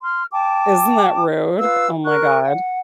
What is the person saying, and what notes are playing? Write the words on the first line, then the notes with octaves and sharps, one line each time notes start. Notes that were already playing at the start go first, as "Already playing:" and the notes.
Isn't that rude? Oh my god.
C6 F6
G5 A5 D6
F4 B4 F5 E6
A#4 C#6 F#6
F#5